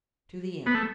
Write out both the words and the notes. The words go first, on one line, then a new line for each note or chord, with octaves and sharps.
"To the end."
B3
A3